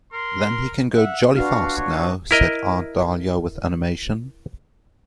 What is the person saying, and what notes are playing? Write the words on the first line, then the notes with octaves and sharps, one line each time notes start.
"Then he can go jolly fast now," said Aunt Dahlia with animation.
A#4 C6
E5 F#5
D4 F4 F#4 B4 F5
C#5
E4 A#4 D#5